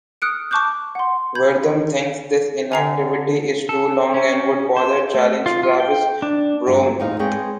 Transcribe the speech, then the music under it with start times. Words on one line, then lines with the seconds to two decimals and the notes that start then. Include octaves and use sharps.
Werdum thinks this inactivity is too long and would rather challenge Travis Browne.
0.22 D#6 F6 F#6 C#7 D7
0.51 A5 C#6 D6 F#6 G6
0.95 F#5 C6
1.35 B5 G6 G#6
2.72 D3 G#5 A#5 C7
3.69 A4
4.14 C#4
4.77 C5
5.14 A3
5.46 F4
5.63 F4
5.80 G5
6.22 D4
6.66 G2 D3 F#3 G#3
6.99 E2 A2 D#4 F4 F5
7.19 G#3 C4 G#4 B4 C#5 G5